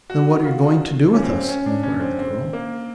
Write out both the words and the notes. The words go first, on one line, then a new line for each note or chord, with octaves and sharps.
"Then what are you going to do with us?" inquired the girl.
F#4
F4
C#4
C4
C4
C#4
D4
C#4
C4
C4
A#3